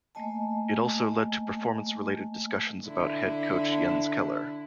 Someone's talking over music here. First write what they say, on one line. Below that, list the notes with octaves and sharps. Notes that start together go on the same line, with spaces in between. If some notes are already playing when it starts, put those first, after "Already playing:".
It also led to performance related discussions about head coach Jens Keller.
A3 A#3 D#5 G#5 A5
D3 E4